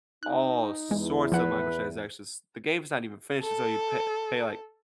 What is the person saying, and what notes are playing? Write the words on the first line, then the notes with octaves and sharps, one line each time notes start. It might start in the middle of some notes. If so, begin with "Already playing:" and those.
all sorts of microtransactions. The game's not even finished until you pay pay, like
D#4 F#6
E2 E3 G#3
F3 B4 F#5
A4